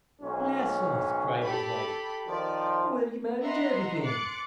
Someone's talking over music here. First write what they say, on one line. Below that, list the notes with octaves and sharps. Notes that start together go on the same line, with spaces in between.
'Bless us!' cried his wife, 'how well you manage everything!
B1 G#2 C#4
G4 A4 B5
D#3 F3 D5
B4 D#5 E5 F#5 A#5 C6
C6 D6 F#6 A6 C#7 D7